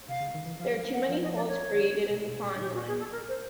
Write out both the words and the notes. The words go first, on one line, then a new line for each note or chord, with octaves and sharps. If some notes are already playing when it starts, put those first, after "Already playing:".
There are too many holes created in the Pawn line.
C3 F5
C#3
D#3
E3
F3 F5
F#3
F5
A#3
F#5
A#3
F3 F5
D#5
D5
C#5
B2
B2
A#2
A#2 G4
F#4
G#4
A4
A#4
C5